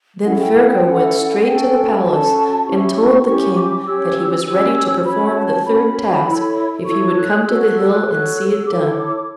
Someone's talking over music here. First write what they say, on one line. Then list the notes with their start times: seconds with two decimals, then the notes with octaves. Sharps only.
Then Ferko went straight to the palace and told the King that he was ready to perform the third task if he would come to the hill and see it done.
0.25 C#4 E4 A4 F#5
0.40 G5
0.54 F#5
0.70 G5
0.85 C#4 E4 A4 F#5
1.45 C#4 F#4 A4 G5
2.05 C#4 F#4 A4 A5
2.65 C#4 E4 G4 C#6
3.25 C#4 E4 G4 C#6
3.56 D6
3.85 C#4 G4 C#5 E6
4.45 C#4 G4 C#5 E6
5.05 C#4 F#4 C#5 B5
5.36 A5
5.66 C#4 F#4 C#5 B5
6.26 E4 A4 C#5
6.86 E4 A4 C#5 C#6
7.16 F#6
7.46 F#4 A4 C#5 E6
7.61 F#6
7.76 E6
7.92 F#6
8.06 F#4 A4 C#5 F#6
8.36 E6
8.66 E4 A4 C#5 D6